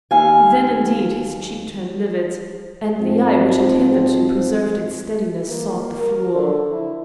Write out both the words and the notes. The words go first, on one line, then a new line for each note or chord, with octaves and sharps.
Then indeed his cheek turned livid, and the eye which had hitherto preserved its steadiness sought the floor.
D#2 F5 G#5
G#2 F3 C4
A#3
A#4
D3
E4